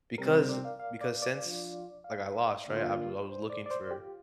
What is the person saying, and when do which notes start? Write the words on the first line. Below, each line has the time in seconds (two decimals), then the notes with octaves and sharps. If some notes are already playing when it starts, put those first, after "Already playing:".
because, eh because since, like, I lost, right? I was I was looking for
0.18 C3 G3 C4 A#4
0.49 D5
0.65 F5
0.80 F5
1.01 D5
1.22 D5
1.43 F3 D4 F4
2.04 F5
2.37 D5
2.67 D3 A#3 F4
3.29 C5
3.50 D5
3.66 D5
3.71 C5
3.91 F4 G4